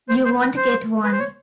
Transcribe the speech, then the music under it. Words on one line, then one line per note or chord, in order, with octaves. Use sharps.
You won't get one.
C5
C5
B4
C5
B4
C5
C#5